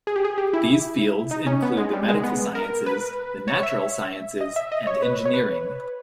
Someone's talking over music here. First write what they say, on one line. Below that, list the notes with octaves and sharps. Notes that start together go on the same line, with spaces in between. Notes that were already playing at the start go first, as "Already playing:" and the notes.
These fields include the medical sciences, the natural sciences, and engineering.
G#4
G4
G#4
G4
E4
D#4
C#4
B3
G#3
G3
G#3
B3
A#4
B4
C#5
E5
D#5
E5
D#5
C#5
B4
C#5
B4